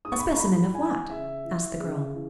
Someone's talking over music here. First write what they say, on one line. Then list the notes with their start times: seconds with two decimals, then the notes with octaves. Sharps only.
"A specimen of what?" asked the girl.
0.05 G#2 D#6
0.12 C#6
0.19 B5
0.26 C#6
0.34 A#5
0.40 E3 B5
0.74 E3 G#5
1.10 C#3 E5
1.44 E3
1.80 C#3
2.14 E3